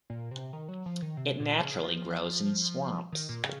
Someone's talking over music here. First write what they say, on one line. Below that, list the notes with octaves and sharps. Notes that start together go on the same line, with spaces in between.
It naturally grows in swamps.
A#2
C3
D#3
F#3
F3
D#3
C3
A#2
C#3
F3
D#3
A#2
C#3